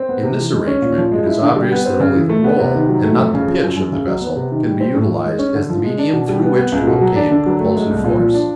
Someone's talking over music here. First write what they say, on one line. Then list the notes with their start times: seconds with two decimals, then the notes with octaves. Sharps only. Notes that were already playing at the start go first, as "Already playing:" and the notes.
In this arrangement it is obvious that only the "roll" and not the "pitch" of the vessel can be utilised as the medium through which to obtain propulsive force.
Already playing: C4
0.09 B3
0.23 C3
0.39 E3
0.53 G#3
0.67 C#4
0.82 A#2
0.98 F3
1.12 G#3
1.26 E4
1.42 D3
1.56 G3
1.72 B3
1.86 C4
2.00 C#3
2.15 E3
2.29 A3
2.44 B3
2.59 C3
2.75 D#3
2.89 F#3
3.04 A3
3.19 F2
3.34 C#3
3.48 F3
3.63 F#2
3.77 F#2
3.92 C#3
4.07 F#3
4.21 B3
4.36 C3
4.52 D#3
4.66 G3
4.80 C4
4.95 A2
5.10 F3
5.25 G#3
5.39 C#4
5.55 D3
5.70 F3
5.84 G#3
5.98 D4
6.13 B2
6.28 G3
6.43 B3
6.58 B3
6.72 C#2
6.87 B2
7.01 F#3
7.16 D4
7.31 D3
7.46 F#3
7.60 A3
7.76 G#3
7.91 C2
8.04 A#2
8.19 F3
8.34 D4